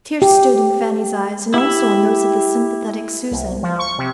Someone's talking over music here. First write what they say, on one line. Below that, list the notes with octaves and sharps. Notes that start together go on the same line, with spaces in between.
Tears stood in Fanny's eyes and also in those of the sympathetic Susan.
G4
E4 G4 E5
C2
F3
C#6
C3